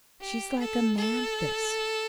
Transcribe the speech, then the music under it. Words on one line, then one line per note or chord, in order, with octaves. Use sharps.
She's like Amanthis!
G4
A4
A4